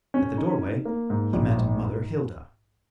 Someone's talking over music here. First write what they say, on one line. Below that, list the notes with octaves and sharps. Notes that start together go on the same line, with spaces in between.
At the doorway he met Mother Hilda.
C#4
D#4
D#4
A#3
G#2
A#1
G#2